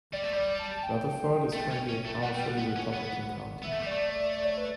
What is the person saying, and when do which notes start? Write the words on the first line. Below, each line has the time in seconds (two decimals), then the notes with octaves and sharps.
Rutherford is currently a powerfully Republican county.
0.13 G3 D5
0.23 A3
0.33 G3 D5
0.59 A5
0.77 A5
0.83 G5
1.53 A3
1.71 C#4
1.89 C#4
2.05 A3
2.22 G3 F#5
2.34 A3 G5
2.40 G3
2.47 F#5
2.58 B3
2.76 C#4
2.93 B3
3.63 B3 E5
3.72 A3
3.83 G3 D5
3.92 A3
4.09 D5
4.32 D5
4.45 C#5
4.58 B4